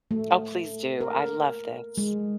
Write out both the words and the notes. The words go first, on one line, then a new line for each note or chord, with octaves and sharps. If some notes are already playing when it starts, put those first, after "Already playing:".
Oh, please do, I love this.
A3
A#4
G#3